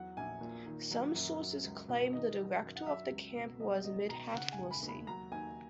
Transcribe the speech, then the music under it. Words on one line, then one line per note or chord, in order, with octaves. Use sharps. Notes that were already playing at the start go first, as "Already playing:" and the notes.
Some sources claim the director of the camp was Midhat Mursi.
Already playing: E2 F#3 F#5
A#1 G#5
A#2
D#3
F#3
F#2
F#3
C#2
B2
D#3 D#5
F#3
F#2
F#5
F#3 E5
C#2
B2
F#3 D#5
C#2 D#5
B2 A#5
C#3 F#5
G#5
E1
B5
D#2
B5
F#3 A#5
D#2 G#5